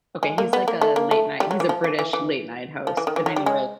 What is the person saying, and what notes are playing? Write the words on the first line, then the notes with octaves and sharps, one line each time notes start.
Okay, he's, like, a late night he's a British late night host, but anyway
G#3
A#3
B3
A#3
A3
A#3
A3
G3
F#3
E3
F3
E3
E3
E3
F3
E3
D#3
E3
F#3
G3
G#3